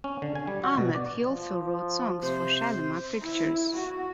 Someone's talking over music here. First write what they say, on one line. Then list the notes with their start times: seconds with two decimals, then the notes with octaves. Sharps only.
Ahmed, he also wrote songs for Shalimar Pictures.
0.04 C#4
0.22 D3
0.35 G#5
0.47 G3
0.64 F#4
0.78 B2
0.95 D5
1.28 F3
2.22 C3 C5
3.21 E4
3.75 F#4